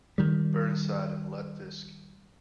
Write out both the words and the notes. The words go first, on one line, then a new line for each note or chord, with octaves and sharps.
Burnside and Lutefisk.
D#3 G3